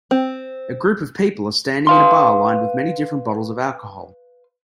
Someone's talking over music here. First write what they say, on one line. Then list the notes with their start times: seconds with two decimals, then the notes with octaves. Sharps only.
A group of people are standing in a bar lined with many different bottles of alcohol.
0.11 C4
1.87 B4 F5 C6